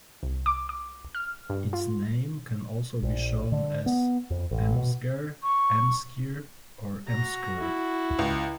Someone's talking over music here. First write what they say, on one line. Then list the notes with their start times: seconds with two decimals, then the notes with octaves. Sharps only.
Its name can also be shown as Em-sger, Emskir or Emskyr.
0.23 C2
0.46 D6
0.69 D6
1.15 F6
1.50 G2
1.73 F4
3.02 A#1
3.52 D3
3.86 B3
4.30 F2
4.51 A1
4.76 B2
5.43 C#6
7.07 F#4 A#5
7.58 E4
8.19 C#2